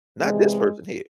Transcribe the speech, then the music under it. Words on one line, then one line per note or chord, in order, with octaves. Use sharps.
Not this person here.
E2 C3 E3 G#3